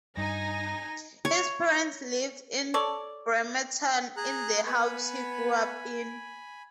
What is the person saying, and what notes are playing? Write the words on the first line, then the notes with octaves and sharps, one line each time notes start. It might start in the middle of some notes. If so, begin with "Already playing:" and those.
His parents live in Bremerton in the house he grew up in.
G2 D#4 G#5 A#6
C#5
A4 C#5 D5
G#4 A#5 F#6
B3 B4 G#5 B5